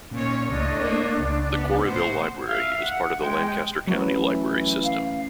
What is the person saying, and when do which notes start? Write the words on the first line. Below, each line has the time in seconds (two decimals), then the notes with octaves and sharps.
The Quarryville Library is part of the Lancaster County Library System.
0.11 A#2 D#3 C#4 C#5
0.49 C#2 A2 D4 C#5 D#5
0.81 A#3
1.18 C#2
1.53 B3
1.87 A2 C5 F#5
2.48 E5 F5
2.82 F#5
3.22 G#3 G5
3.87 E3 F#3 A3 C#4 C#5
4.84 F5